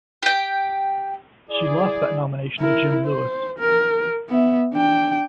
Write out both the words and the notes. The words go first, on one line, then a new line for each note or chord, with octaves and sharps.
She lost that nomination to Jim Lewis.
G4 G5
E4 G#4 D5
E4 A#4
C5
A#4
B3 E5
D4 G5